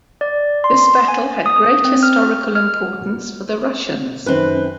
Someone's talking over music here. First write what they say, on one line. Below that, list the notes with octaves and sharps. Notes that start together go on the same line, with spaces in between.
This battle had great historical importance for the Russians.
D5
C6
G#5
D#6
C4
F6
F6
F#2 D#3 C4 B4 F#6